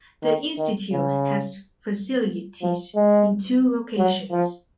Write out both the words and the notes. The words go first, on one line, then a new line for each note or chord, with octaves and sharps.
The institute has facilities in two locations.
D#3
D#3
C#3
F3
G#3
F#3
F3